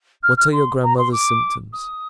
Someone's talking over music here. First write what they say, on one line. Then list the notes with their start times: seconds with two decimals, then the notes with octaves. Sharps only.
"What are your grandmother's symptoms?"
0.23 F6
0.37 F6
0.52 C6
0.83 A#5
0.98 C6
1.12 D6
1.73 D#6